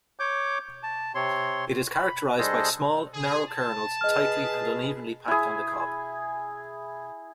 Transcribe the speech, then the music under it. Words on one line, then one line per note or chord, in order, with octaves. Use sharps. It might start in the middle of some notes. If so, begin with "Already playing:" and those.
It is characterized by small, narrow kernels tightly and unevenly packed on the cob.
C#5 D6 G6
A5
C3 C4 C#5 C6
B5
G3 D4 G#4 A4 C5 D#5
G#4
A5
G#4 B4 D#5 F6
E4 G#4